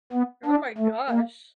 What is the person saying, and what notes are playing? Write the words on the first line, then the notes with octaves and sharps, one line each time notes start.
Oh my gosh.
B3
D4
A3
A#3